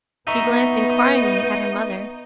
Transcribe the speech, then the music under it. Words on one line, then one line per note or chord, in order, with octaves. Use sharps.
She glanced inquiringly at her mother.
B3 D#4 E5 A#5 C#6